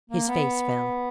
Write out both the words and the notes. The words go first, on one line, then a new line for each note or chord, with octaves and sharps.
His face fell.
A#3
B3